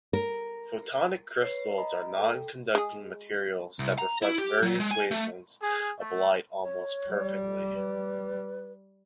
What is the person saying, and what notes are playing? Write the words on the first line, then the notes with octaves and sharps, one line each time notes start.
Photonic crystals are non-conducting materials that reflect various wavelengths of light almost perfectly.
A#4
B4 C#5 C7
D#5 A#5 B5
A4 G5
G#3 G#4
C2
A#5
E4
G4
F#3
G#3
G#5
A3
G#4
A3
C#5
G3
B4